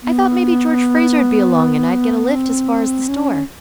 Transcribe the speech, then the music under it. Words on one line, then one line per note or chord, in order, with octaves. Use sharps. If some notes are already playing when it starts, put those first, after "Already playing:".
"I thought maybe George Fraser'd be along and I'd get a lift as far as the store."
B3
C4
C#4